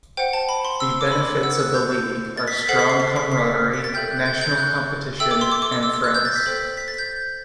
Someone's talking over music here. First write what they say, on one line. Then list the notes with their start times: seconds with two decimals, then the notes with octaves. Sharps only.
The benefits of the league are strong camaraderie, national competition and friends.
0.17 C5 F#5 G5
0.33 A5
0.49 B5
0.65 C6
0.80 E6
0.90 E6
1.01 D6
1.12 B5
1.27 D6
1.43 C5 F#5 E6
1.58 F#6
1.74 G6
2.37 A6
2.48 B6
2.58 B6
2.69 A4 C5 F#5 C7
2.79 B6
2.90 C7
3.00 C7
3.16 B6
3.32 B6
3.74 B6
3.84 A6
3.94 A4 E5 G5 G6
4.10 F#6
4.26 G6
4.41 G6
4.57 F#6
5.20 A4 E5 G5 E6
5.31 D6
5.41 C6
5.52 D6
5.62 D6
5.72 E6
5.83 E6
5.94 E6
6.04 F#6
6.15 G6
6.25 A6
6.36 B6
6.46 A4 C5 G5
6.77 B6
6.88 A6
6.98 G6